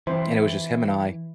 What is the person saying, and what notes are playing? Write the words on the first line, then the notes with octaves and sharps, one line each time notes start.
and it was just him and I,
E3 C4 C5